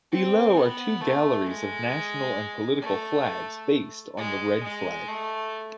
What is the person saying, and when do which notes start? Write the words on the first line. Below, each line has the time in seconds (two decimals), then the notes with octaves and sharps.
Below are two galleries of national and political flags based on the red flag.
0.12 C4
0.57 B3
1.01 A3
1.47 G#3
2.82 A3
4.17 G#3
4.63 G#3
5.08 A3